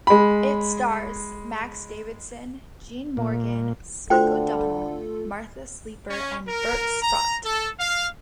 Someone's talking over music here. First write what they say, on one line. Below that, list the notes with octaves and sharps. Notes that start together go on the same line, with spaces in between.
It stars Max Davidson, Gene Morgan, Spec O'Donnell, Martha Sleeper, and Bert Sprotte.
G#3 B5
A#2
D3 A3 F4 F#4 A4 C5 G5
C#4
A#4
A#5
A4
F5